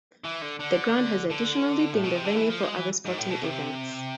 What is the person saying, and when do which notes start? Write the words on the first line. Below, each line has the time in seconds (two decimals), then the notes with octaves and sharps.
The ground has additionally been the venue for other sporting events.
0.24 E3
0.42 D3
0.59 D3
1.30 D3
1.94 A2
2.05 B2
2.15 C3
2.25 D3
2.36 E3
2.50 F3
2.63 G#3
2.76 E3
3.05 G#2
3.18 A2
3.30 B2
3.42 C3